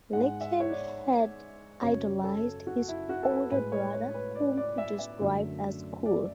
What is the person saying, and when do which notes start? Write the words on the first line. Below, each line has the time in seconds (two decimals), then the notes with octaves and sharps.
Larkin had idolized his older brother, whom he described as "cool".
0.13 G#2 G#3 F#5
0.41 E5
0.60 C#5
0.69 D5
1.81 F#2 C#3 F#3 C#5
2.24 A4
2.67 F#4
2.88 E4
3.09 F#4
3.23 A4
3.30 B4
3.51 A2 G#3 B4
3.72 C#5
3.94 C#5
4.14 B4
4.35 D5
4.57 D5
4.78 E5
4.99 E5
5.21 F#2 D3 F#3 A3
6.06 D5